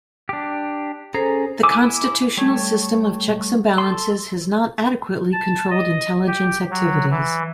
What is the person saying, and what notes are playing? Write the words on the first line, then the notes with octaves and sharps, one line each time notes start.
The Constitutional system of checks and balances has not adequately controlled intelligence activities.
D4 G4
C#4 G#4 A4 C5 A#5
E4 G#5 D6 E6
G3 A3 C#5
A4 C6
A5
D#5
G4
F#3
E3